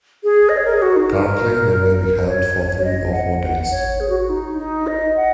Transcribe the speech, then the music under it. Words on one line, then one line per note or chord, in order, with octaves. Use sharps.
Currently they may be held for three or four days.
G#4
D#5
C#5
A#4
G#4
F#4
D#4
A#4
C#5
D#5
F#5
C#5
G#4
F#4
F#4
D#4
D#4
D#5
F#5